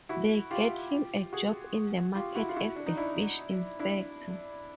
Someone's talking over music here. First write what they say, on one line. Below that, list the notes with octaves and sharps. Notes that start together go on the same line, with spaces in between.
They get him a job in the market as a fish inspector.
E4 F#4
F4 G4
F#4 G#4
F4 G4
E4 F#4
F4
E4 F#4
D4
D#4
D4 E4
D4 E4